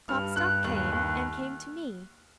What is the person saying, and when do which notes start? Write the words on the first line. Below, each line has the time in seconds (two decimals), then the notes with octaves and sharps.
Klopstock came, and came to me.
0.09 G2 F6
0.36 G2 F#6
0.64 D#2 F#6
0.92 D#2